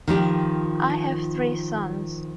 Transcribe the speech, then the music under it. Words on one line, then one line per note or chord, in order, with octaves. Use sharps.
I have three sons.
D#3 F3 G4